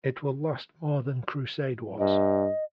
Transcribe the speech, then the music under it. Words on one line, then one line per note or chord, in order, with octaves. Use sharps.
It will last more than crusade wars.
G2 D#5